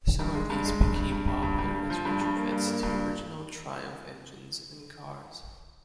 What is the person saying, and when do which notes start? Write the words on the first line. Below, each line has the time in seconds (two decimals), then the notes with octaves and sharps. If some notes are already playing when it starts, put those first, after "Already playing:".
Some of these became popular as retrofits to original Triumph engines and cars.
0.19 G2
0.34 G#3
0.50 G2
0.65 G#3
0.81 G2
0.96 G2
1.12 G2
1.28 G2
1.43 G2
1.59 G2
1.75 G2
1.90 F3
2.05 G2
2.21 G2
2.37 A#3
2.52 G2
2.67 A#3
2.83 G2